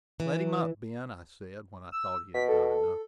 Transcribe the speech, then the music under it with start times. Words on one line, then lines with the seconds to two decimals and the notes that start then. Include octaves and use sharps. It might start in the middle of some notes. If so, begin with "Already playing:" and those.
"Let him up, Ben," I said, when I thought he had done enough.
0.20 E3
1.92 E6
2.34 B2 B6
2.49 A4